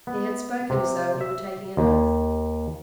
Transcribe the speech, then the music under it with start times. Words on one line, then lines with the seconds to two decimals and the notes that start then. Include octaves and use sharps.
He had spoken as though he were taking an oath.
0.07 B3
0.70 C3
1.21 E5
1.77 D#2